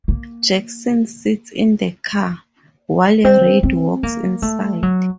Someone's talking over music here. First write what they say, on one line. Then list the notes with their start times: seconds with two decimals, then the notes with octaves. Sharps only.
Jackson sits in the car, while Reid walks inside.
0.08 A#3
3.24 C4
3.63 C4
4.03 A#3
4.42 A3
4.83 F#3